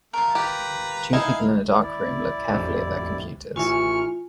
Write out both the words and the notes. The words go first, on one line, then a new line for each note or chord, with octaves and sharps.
Two people in a dark room look carefully at their computers.
A3 F4 A#4
G4 B4 A#5
D#4 E4 G#4 D#5 F5 G#5
E4 D5
E1 A1 F2
A1 E3 F4 G#5 C#6 F6